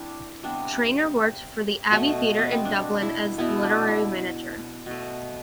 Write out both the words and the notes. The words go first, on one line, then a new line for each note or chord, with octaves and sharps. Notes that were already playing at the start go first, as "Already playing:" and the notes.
Traynor worked for the Abbey Theatre in Dublin as the literary manager.
Already playing: C4 D4 E4
C3 G3 B3 D4
B2 A3
B3
C4
D4
E4
B2 B3 E4
D4
E4
B2 A3